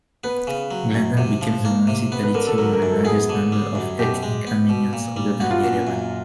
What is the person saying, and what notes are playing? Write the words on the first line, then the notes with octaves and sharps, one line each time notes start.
Glendale became the municipality with the largest number of ethnic Armenians other than Yerevan.
B3 B4
C#3
F#3
F#2
C3
F3
A#3
C3
B3 B4
B4
D3 A#4
A4
F#3 A#4
A#4
F#2
A4
B3 G#4
D3
G3
F#2
B2 G4
G#3
B3
B2
A#2
G3
B3 F#4
F4
A#2 F#4
F#2